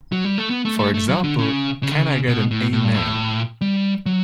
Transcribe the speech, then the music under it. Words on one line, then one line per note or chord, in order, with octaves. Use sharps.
For example Can I get an Amen?
F#3
G3
A3
B3
A3
A3
A3
F#3
D3
C#3
C#3
D3
C#3
B2
A2
A2
G2
A2
G3
F#3